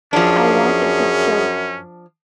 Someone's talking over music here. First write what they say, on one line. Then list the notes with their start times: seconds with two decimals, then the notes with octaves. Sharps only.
I want it to chug.
0.13 F#2 F3 C#4 D4 G#4